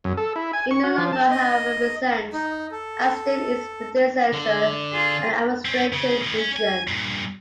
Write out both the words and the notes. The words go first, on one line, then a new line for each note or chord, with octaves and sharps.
It no longer however represents, as did its predecessor, an administrative region.
F#2
A4
E4
G#5
C#6
F#4
F3
A5
D#5
D#4
A4
D3
F4 G#4
C4 C#4
C#3
A2 D#3
C#4
G#5
G2 A#2